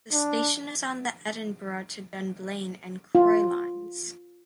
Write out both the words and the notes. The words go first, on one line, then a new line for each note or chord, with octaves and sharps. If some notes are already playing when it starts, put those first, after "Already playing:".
The station is on the Edinburgh to Dunblane and Croy Lines.
D4
F4